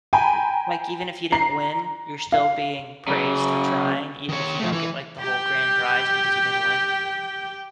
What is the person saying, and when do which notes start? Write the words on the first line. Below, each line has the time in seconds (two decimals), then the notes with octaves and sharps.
L like, even if you didn't win, you're still being praised for trying even if you don't get, like, the whole grand prize because you didn't win?
0.13 G5 G#5 A#5 B5
1.32 A#5 C7
2.32 F5
3.08 C#3 F#3
4.29 D#3 C#5
4.60 F3 A3
4.72 E3
5.20 G4 G5